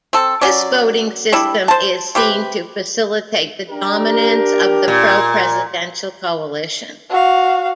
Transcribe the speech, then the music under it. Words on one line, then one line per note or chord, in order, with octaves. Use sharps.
This voting system is seen to facilitate the dominance of the pro-presidential coalition.
C4 A4
F#3 C#4 D5
G3 D4 E4
C5 A5
C3 G4 B4
D4 G4 A#4
A#2
F#4 F5